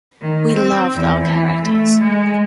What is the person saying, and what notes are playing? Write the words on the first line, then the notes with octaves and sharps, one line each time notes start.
We loved our characters.
D#3
C4
E2
E3
A3
G#3